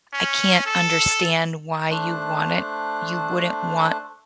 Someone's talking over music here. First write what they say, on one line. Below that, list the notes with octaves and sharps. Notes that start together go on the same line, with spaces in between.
I can't understand why you want it you wouldn't want
C#4
A4
A3 D4 C5 F#6